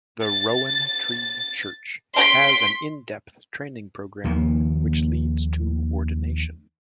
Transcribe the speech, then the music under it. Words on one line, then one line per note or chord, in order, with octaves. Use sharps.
The Rowan Tree Church has an in-depth training program which leads to ordination.
A6
C6 B6 D7
D#2 D#3 F3 A#3